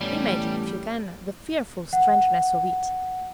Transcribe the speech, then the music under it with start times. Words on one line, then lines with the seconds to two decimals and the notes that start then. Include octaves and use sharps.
Imagine if you can the fearful strangeness of it!
0.01 E2 A2 G3 C#4
1.93 F#5